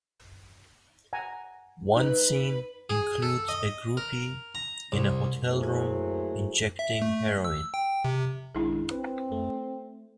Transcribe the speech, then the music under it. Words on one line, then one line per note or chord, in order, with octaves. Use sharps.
One scene includes a groupie in a hotel room injecting heroin.
F#5 G#5 A#5
D#4 B4
G#4
A4
D#5
A#4
A#5
C2
F#3 A3 A#3 E4 G#4 C5
E5
A3
E6
G5
C3
A#1 D#3 G#3 D4 E4 G#4
C4 B4
A3